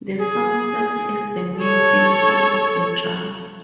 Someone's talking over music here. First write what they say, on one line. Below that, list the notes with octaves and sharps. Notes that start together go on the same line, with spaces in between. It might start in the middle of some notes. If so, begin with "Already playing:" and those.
The song served as the main theme song of the drama.
G#4
A4 C#5